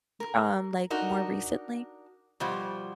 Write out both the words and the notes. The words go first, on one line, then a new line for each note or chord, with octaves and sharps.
r um, like, more recently?
A#4
D4 D#4 F#4 A#4
B2 F3 G3